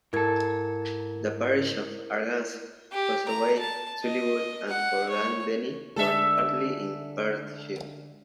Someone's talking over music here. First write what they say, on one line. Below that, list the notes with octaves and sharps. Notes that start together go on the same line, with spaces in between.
The parishes of Arngask, Fossoway, Tulliebole and Forgandenny were partly in Perthshire.
G#2 E4 A4 A#4 G#6
G4
A#5
A5
D#5
F#5
C#5
D3 G#3 A4 E5 A5